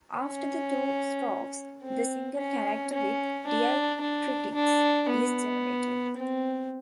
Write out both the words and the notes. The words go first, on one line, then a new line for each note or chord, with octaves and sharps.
After the two strokes, the single character with diacritics is generated.
C#4
C4
C#4
C#4
D4
D4
D4
B3
C4